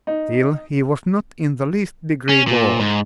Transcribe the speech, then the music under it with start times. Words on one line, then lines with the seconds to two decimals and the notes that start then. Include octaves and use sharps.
Still, he was not in the least degree bored.
0.07 D#4
2.29 C#4
2.47 A#2
2.80 G#2